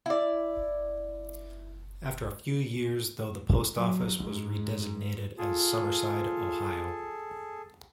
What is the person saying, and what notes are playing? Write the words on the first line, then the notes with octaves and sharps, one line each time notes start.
After a few years though the post office was redesignated as Summerside, Ohio.
E4 D5
F#3
G#2
F4 G#4 A4